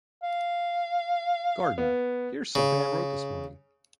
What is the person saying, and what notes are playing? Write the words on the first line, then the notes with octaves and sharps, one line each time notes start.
Garden: "Here's something I wrote this morning".
F5
B3
C#3